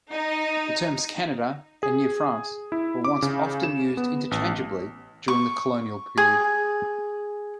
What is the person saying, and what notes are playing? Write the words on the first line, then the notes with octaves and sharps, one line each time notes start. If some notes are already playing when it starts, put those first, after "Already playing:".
The terms "Canada" and "New France" were often used interchangeably during the colonial period.
D#4
G#4
E4
D6
C#3
E7
B3
A1
C#6
G#4